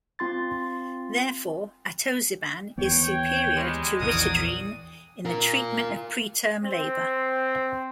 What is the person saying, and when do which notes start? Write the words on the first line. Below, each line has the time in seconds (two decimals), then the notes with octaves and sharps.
Therefore, atosiban is superior to ritodrine in the treatment of preterm labour.
0.19 C4 F4 C6 A6
2.78 D#2 E3 B3 C#5 G5
3.55 G3 G#3
4.00 A#1 E2 E3 F#4 G#4 A#4 D5 D#6
5.25 F4 A#4
6.64 C4